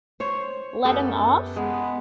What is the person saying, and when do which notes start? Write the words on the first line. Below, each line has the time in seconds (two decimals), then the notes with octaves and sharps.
Let him off?
0.20 C5 C#5
0.85 F#2 B3 G4 A4
1.56 G#3 B3